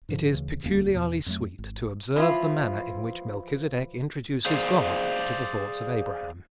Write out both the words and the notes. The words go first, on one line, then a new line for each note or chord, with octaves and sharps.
It is peculiarly sweet to observe the manner in which Melchizedek introduces God to the thoughts of Abraham.
G#2 D3 F3
D2 C#3 E3
E1 D2 A#3 C#4
E2 B2
F2 F#3 A3
G#1
E3 F3 E4 F4
G#4 C5 D5 F5